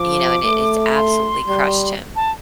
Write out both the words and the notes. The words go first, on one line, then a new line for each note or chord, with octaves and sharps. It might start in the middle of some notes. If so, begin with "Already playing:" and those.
You know, and it it's absolutely crushed him
Already playing: F3 D6
A3
C6
G3
A5